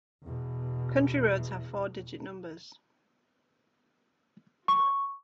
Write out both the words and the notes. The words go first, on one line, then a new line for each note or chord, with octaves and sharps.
County roads have four-digit numbers.
E2 B2
C#6